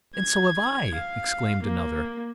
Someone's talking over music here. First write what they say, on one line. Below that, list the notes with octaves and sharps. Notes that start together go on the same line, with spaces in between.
"And so have I," exclaimed another.
G#6
F5
A#3